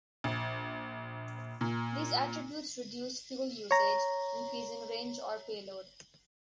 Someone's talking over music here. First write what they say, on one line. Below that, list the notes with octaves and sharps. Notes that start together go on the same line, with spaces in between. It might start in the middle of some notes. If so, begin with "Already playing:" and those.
These attributes reduce fuel usage, increasing range or payload.
A#1
A#2
C#5 A#5